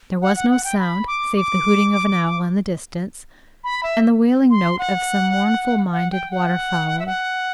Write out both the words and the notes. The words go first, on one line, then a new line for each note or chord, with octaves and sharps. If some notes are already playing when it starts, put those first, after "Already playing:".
There was no sound save the hooting of an owl in the distance, and the wailing note of some mournful-minded water-fowl.
F#5
F#5
F#5
G5
B5
D6
D6
B5
E5
C6
F#5
F#5
G5
F#5
E5
F#5